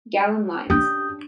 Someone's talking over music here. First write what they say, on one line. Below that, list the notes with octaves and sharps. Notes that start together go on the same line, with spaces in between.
Gallen lines.
C#4 D4 G4 D#6 G6